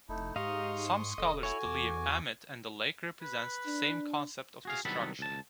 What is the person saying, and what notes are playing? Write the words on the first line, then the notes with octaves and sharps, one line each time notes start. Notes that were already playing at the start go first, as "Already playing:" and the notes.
Some scholars believe Ammit and the lake represent the same concept of destruction.
F1 A3 D#4 E4 A5
G#2 D#4 G4 D#5 F5 C6 C#6 D#6
E1 A4 D#5
E4 F#4 C#5 G#5
E2 D6
B4
D4
F#4 G#4 F5
C2 D#3 F#3 B3 A4 B5
C#2 A5